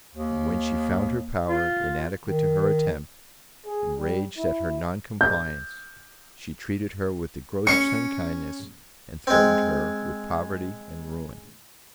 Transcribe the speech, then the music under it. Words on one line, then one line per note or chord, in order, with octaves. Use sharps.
And, when she found her power inadequate to her attempt, enraged at her non-compliance, she treated her with the grossest unkindness, and threatened her with poverty and ruin.
D#2
F4
D#3
G#4
G3
E4
G6
C#4 C#7
G#3 C4